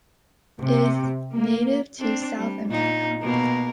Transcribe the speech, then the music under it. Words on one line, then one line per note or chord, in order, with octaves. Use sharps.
It is native to South America.
C3
A#3
C4 D4
G3
A#2 D#4
B2 A#3 A#4